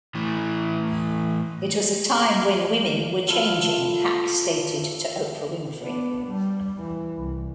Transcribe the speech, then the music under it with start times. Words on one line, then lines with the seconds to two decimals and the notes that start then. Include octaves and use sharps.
"It was a time when women were changing" Hack stated to Oprah Winfrey.
0.15 A2 E3
3.27 F3 E4 A4 F5
5.80 B3 D4
6.28 G3
6.78 E3
7.17 C2